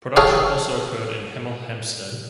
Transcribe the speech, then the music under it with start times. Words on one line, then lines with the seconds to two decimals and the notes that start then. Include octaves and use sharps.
Production also occurred in Hemel Hempstead.
0.16 G#4 A4 C#5 F5 G5 G#5